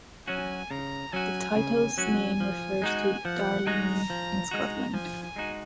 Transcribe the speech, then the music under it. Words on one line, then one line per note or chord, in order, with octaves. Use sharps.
The title's name refers to Darnley in Scotland.
F#3 C#4 F#4 G#5
C#3 A#5
F#3 C#4 F#4 G#5
C#3
F#3 C#4 F#4
F3
G#3 D#4 F#4
F3 F#5
G#3 D#4 F#4 A#5
F3
G#3 D#4 F#4
F3 G#5
G#5
G#3 D#4 F#4